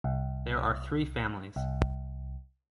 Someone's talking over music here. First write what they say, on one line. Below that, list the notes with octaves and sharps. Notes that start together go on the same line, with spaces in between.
There are three families.
C2
C2